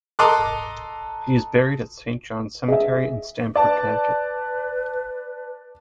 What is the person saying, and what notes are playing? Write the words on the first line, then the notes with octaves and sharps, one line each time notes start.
He is buried at Saint John's Cemetery in Stamford, Connecticut.
A4 D#5 A#5 C6 D6 F#6
G#4 D#5 E5
B4 D5 A5